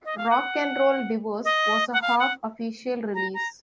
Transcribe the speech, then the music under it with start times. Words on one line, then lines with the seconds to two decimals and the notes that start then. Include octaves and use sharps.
"Rock and Roll Divorce" was a half-official release.
0.05 D#5
0.18 F5
0.30 F#5
1.45 D#5
1.93 F#5
2.02 F5
2.20 F#5
3.14 A#5
3.34 A#5